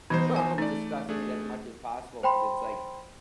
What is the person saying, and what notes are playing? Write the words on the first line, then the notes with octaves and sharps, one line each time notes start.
um, discussing it as much as possible 'cause it's, like
B2 E3 D#4 C5
G#5
A3 D#4 D5
A3 D4 G#4
C5 G5 B5 C6